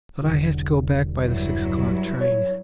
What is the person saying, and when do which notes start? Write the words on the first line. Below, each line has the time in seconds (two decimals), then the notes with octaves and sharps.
But I have to go back by the six o'clock train.
0.22 E1 C2 D3
1.17 G2 F#3 E4
2.21 C#5